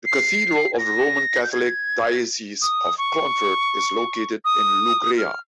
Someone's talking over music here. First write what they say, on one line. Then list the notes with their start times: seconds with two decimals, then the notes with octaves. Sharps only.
The cathedral of the Roman Catholic Diocese of Clonfert is located in Loughrea.
0.06 C7
0.74 G#6
0.78 A#6
1.43 G6
1.52 G#6
2.62 D#6
2.98 C#6
4.45 D#6
5.18 F6